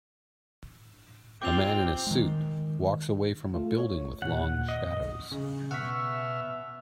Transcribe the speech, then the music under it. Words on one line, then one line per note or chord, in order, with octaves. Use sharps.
A man in a suit walks away from a building with long shadows.
C4 F4 G5 D6 G6 F7
D#3 G#3
A3 F4
C#5
D#2 A#2 F#5
D#5
C#3
B2 E5 F#5 C#6 E6 F6 B6